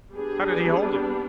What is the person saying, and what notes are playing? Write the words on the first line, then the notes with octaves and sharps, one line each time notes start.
How did he hold it?
G3 B3 D4 G#4